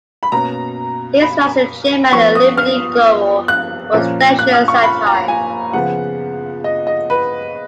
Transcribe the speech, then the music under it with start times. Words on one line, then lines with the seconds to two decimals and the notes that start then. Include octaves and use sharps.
His rise to chairman at Liberty Global was contentious at times.
0.23 B5
0.32 B2 A#3 C#4 A#5
1.22 B5
2.12 F3 B3 C#6
2.35 D#6
2.57 F6
3.48 F#6
3.93 A#2 F3 A#3 C#4
4.39 F#6
4.53 F6
4.68 C#6
4.83 B5
5.07 A#5
5.28 G#5
5.73 C#3 F3 B3 F#5
6.64 D#5
6.87 D#5
7.10 B4